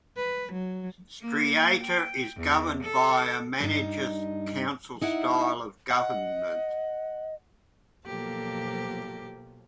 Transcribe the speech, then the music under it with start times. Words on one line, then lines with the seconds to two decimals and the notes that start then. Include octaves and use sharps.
Streator is governed by a Manager-council style of government.
0.17 B4
0.53 F#3
1.21 A#3
1.81 G5
2.37 E2
2.83 A4
3.60 G2 D#4
5.01 D#4 E4 F#5
5.90 D#5 F#5
8.06 B2 F3 F#3 A#3 G4 A4